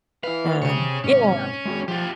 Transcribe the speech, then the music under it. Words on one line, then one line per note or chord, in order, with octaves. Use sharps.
Um, yeah.
E4 B4 F5
C3 G#4 C#5
G#2 C3 C#4
G#3 F#4 G#4
F3 F4 G4